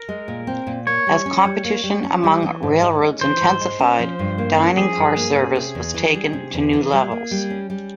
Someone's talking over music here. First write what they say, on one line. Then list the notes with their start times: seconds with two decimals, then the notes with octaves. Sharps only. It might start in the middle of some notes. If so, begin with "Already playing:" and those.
As competition among railroads intensified, dining car service was taken to new levels.
Already playing: A#4
0.09 G#3
0.28 A#2
0.47 C4
0.67 A#2
0.87 A#3 C#5
1.07 G3
1.26 C#4
1.45 G3
1.65 A#3
1.84 G3
2.04 C#4
2.24 G3
2.43 E3
2.63 G#2
2.82 G#3
3.02 C#4
3.21 E3 C5
3.41 G#2
3.61 G#3
3.79 C#4
3.99 F3
4.19 G2
4.38 A#3
4.57 C#4
4.77 F3 G#4
4.97 G2
5.16 A#3
5.36 C#4
5.56 C3
5.75 E2
5.94 E3
6.15 G3
6.33 C3
6.54 E2
6.73 E3
6.92 G3
7.12 A#3
7.31 G3
7.50 C#4
7.70 G3